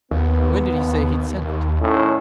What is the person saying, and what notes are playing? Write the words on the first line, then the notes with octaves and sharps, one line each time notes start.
"When did he say he'd send it?"
D#2 B3
A2 D#3 C#4